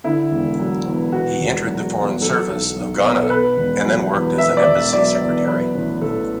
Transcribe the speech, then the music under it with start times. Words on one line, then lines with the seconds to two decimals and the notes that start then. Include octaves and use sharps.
He entered the foreign service of Ghana and then worked as an embassy secretary.
0.04 D3 E4
0.31 E1
0.59 F#3
0.86 E2
1.12 B2 F#4
1.41 E1
1.67 F#3
1.95 E2
2.21 F#3 A4
2.49 B1
2.76 B1
3.03 B2
3.22 A4
3.30 B2 B4
3.57 E1
3.85 F#3
4.12 E2
4.38 B2 E5
4.57 D5
4.67 E1
4.76 E5
4.93 F#3 D5
5.20 E2
5.47 F#3 B4
5.75 A1
6.01 A1 A4